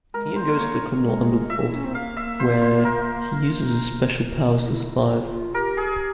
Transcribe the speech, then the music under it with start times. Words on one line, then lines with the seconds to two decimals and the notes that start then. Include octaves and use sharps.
Ian goes to the criminal underworld where he uses his special powers to survive.
0.14 G#3 A#4
0.36 C5
0.44 C4
0.48 A#3
0.59 C#5
1.04 G#3
1.49 A#3 E5
1.66 E4
1.76 C#4
1.85 C4
1.94 A#3 F5
2.17 E5
2.40 C5
2.61 C5
2.85 A#4
4.64 E4
5.25 F4
5.54 G4 A#4
5.77 G#4